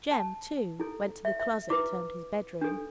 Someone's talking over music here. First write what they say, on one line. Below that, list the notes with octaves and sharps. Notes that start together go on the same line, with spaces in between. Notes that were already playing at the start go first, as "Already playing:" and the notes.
Jem, too, went to the closet termed his bed-room.
A5
E4 A4
E5
E5
E4 B4 D6
D4 A4